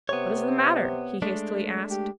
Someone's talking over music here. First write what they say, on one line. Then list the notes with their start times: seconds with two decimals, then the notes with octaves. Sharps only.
"What is the matter?" he hastily asked.
0.09 C3 B3 C#5
1.22 G#3 A3 D4
1.90 G4